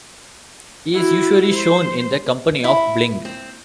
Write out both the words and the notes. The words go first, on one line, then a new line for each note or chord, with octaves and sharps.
He is usually shown in the company of Bling.
E4 F#4
C5
E4
C4